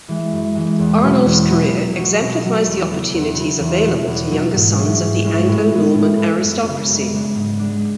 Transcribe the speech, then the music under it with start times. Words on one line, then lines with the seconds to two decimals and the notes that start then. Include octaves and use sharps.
Arnulf's career exemplifies the opportunities available to younger sons of the Anglo-Norman aristocracy.
0.08 E3 G#3
0.32 F#2
0.55 E3 G#3
0.79 E2
1.02 B2 F#3 B3
1.25 E2
1.49 B2 F#3 B3
1.73 B2
1.96 F#3 C#4
2.19 B2
2.43 F#3 C#4
2.67 E2
2.90 C#3 F#3 B3
3.14 E2
3.34 C#3 F#3 B3
3.60 E2
3.84 B2 F#3
4.07 E2
4.31 B2 F#3
4.54 G#2
4.77 G#3 C#4 E4
5.00 G#2
5.24 G#3 C#4 E4
5.48 A2
5.71 G#3 B3
5.95 A2
6.18 G#3 B3
6.42 F#2
6.65 C#3 G#3 D4
6.89 F#2
7.12 C#3 G#3 D4
7.35 G#2
7.59 G#3 D4